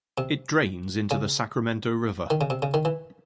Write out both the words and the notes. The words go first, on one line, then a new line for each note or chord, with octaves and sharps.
It drains into the Sacramento River.
C3
C#3
D#3
C#3
C3
C#3
D#3
E3